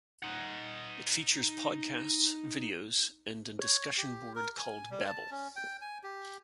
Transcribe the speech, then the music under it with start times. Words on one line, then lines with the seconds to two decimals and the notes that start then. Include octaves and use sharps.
It features podcasts, videos and an discussion board called "babble".
0.23 D#4 F#5
3.61 C#5
3.98 G4
4.35 A#4
4.58 G#5
4.91 G3
5.07 A5
5.31 C#4
5.56 G5
5.81 G#5
6.04 G4